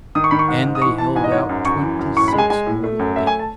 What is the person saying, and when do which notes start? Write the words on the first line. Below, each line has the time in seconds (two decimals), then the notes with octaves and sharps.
And they held out twenty-six mortal days.
0.15 D#3 D#6
0.24 C#6
0.31 D#3 B5
0.39 C#6
0.48 G#2
0.66 G#2
0.75 D#6
0.82 E3 C#6
0.98 E3 A5
1.15 G#2 G#5
1.24 D#5
1.32 G#2 C#5
1.49 F#2
1.65 F#2 C#6
1.82 E3
1.99 F#2
2.16 A2 C#6
2.28 B5
2.33 G#3
2.38 G#5
2.50 G#3 G#5
2.66 A2
2.84 A3
2.99 F#2
3.16 A3 E5
3.27 G#5
3.39 A5